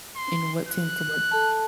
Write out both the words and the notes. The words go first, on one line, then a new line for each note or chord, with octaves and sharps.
And what tend to work?
C6
F#6
A4 A5